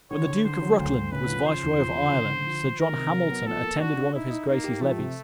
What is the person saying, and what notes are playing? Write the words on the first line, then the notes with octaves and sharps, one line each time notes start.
When the Duke of Rutland was Viceroy of Ireland, Sir John Hamilton attended one of his Grace's levees.
D3 C#5
D3
D3 C5
F#3
D2 C5
D2
C#3 B4
F3
C#3 C5
E2
F3
C#3
D3
D3
F3
F3
D#3 A#4
C3
F#3
B3
F3 A4
A#3
D4 F#4
D4
D#4 E4
D#4
A#3 D#4
G4
F3 A3
C3